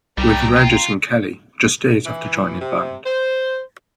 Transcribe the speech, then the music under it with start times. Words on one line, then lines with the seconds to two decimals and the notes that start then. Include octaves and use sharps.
With Regis and Kelly, just days after joining the band.
0.18 C2 G3 A3 G5 A#5
0.56 F4
2.05 E3
2.61 C3
3.06 C5